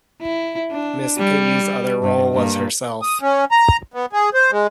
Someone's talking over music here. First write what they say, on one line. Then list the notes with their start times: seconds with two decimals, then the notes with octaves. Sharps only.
Miss Piggy's other role was herself.
0.22 E4
0.72 D4
1.18 G3
2.02 G2
2.34 G2 A#3
3.02 D#6
3.21 C#4
3.51 A#5
3.94 B3
4.13 G#4
4.34 C5
4.51 G#3